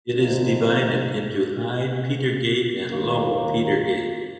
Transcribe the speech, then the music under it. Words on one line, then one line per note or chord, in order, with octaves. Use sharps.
It is divided into High Petergate and Low Petergate.
D2 C3 F3 C4 D#4
D#2 D#3 A#3